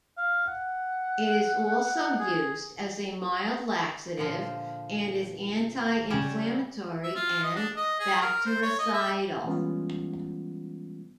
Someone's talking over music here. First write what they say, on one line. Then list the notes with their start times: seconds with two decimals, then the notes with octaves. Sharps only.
It is also used as a mild laxative and is anti-inflammatory and bactericidal.
0.17 F5
0.47 F#5
2.19 G#4
4.17 A#2 D3 F3
6.10 C#3 G3 C#4 E7
7.03 E5
7.15 F4
7.43 D#5
7.56 D4
7.77 D#5
8.00 G#4
8.21 A#4
8.46 C5
8.62 C#5
8.79 D#5
8.93 E5
9.44 E3 G3 G#3 B3 C#4 F4